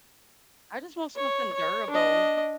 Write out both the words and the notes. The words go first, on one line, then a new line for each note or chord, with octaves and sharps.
I just want something durable.
C#5
C#5
D4 D#5